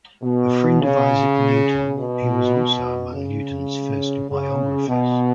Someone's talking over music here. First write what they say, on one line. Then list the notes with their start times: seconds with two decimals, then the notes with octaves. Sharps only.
A friend of Isaac Newton, he was also among Newton's first biographers.
0.22 B2
0.81 C#3
1.97 B2
3.13 C#3
4.30 C#3
4.88 B2